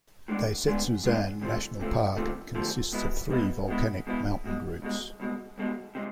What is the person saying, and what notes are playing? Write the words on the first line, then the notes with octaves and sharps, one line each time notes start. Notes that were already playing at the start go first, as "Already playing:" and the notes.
Daisetsuzan National Park consists of three volcanic mountain groups.
A2 G#3 B3 D4
A2 G#3 B3 D4
A2 G#3 B3 D4
D2 C3 F3 A3
D2 C3 F3 A3
D2 C3 F3 A3
D2 C3 F3 A3
B2 G#3 B3 E4
B2 G#3 B3 E4
B2 G#3 B3 E4
B2 G#3 B3 E4
C2 B2 G#3
C2 B2 G#3
C2 B2 G#3
C2 B2 G#3
C3 G#3